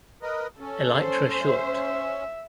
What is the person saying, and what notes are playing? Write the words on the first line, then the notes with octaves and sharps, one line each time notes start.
Elytra short.
A#4 B4 D#5
C#4 A4
C5
E5